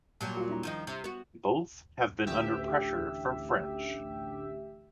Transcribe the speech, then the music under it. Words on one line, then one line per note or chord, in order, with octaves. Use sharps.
Both have been under pressure from French.
A#2 F#3 G3 A5
F4 F#4
D4 E4 A#5
D#3 F3 D#4
C3
B3 F#4
A1 D2 G4 E5